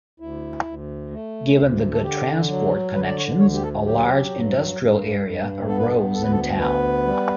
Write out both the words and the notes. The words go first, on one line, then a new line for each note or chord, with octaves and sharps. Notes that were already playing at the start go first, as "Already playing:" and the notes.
Given the good transport connections, a large industrial area arose in town.
D2 E4
D2
A3
D2
A4
D3 G4
F#3
D3 B4
D5
C#5
D2 C#5
G4
A4
F#3 G4
G2
G2
G2
B3 A4
B4
A4
D2 A4
B4
A4
B3 B4
G3